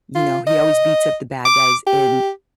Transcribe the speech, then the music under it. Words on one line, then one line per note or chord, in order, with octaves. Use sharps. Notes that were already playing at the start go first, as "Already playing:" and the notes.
you know, he always beats up the bad guys in
F4
D#5
D6
G4